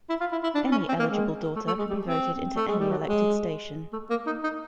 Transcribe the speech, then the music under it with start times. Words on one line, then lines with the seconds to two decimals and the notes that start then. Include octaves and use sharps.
Any eligible daughter can be voted into any elected station.
0.09 E4
0.20 F4
0.32 E4
0.43 E4
0.55 D4
0.72 C#4
0.88 C4
0.99 A#3
1.11 G#3
1.56 A3
1.67 A3
1.79 G#3
1.90 G3
2.07 C4
2.56 A3
2.68 G#3
2.80 G3
2.91 F#3
3.08 G#3
3.93 A3
4.10 A#3
4.27 D#4
4.43 D#4